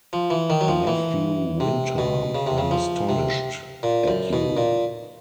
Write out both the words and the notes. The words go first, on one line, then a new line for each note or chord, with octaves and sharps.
Matthew Winter, I’m astonished at you.
F3
E3
D#3
F#3
F3
E3
C3
B2
C#3
C3
C#3
F3
C3
A#2
F#2
B2
A#2